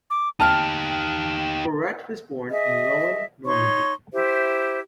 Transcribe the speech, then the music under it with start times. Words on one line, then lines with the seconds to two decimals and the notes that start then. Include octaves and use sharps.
Corrette was born in Rouen, Normandy.
0.10 D6
0.40 D#4 G4 G5 A5 F6
2.50 G#4 D#5 E5
3.45 D#4 C#5 C6 C#6
4.13 E4 G4 C5 E5